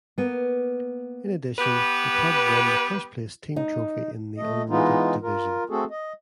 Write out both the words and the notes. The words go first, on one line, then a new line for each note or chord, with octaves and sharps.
In addition, the club won the first place team trophy in the unrated division.
A#3 B3
B3 G4 B4
D#4
A3 D#5
E3 G#3 B3 D#4 F4
F4 A#4
A3 C4 F#4 G#4 A4
D#5